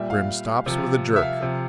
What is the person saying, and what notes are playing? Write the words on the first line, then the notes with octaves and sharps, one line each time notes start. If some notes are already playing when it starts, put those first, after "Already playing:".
Grim stops with a jerk.
Already playing: A#2 G3 E5
F5
C3 F3
E5
F5
C3 F3